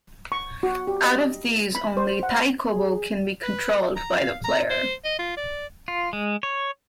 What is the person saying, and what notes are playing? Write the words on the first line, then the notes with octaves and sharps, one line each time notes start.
Out of these, only Taikobo can be controlled by the player.
C#6
F#4
G4
D#5
B5
C5
F#5
G#4
B4
A#5
F5
A#5
C5
D#5
F4
D5
F4
G#3
C#5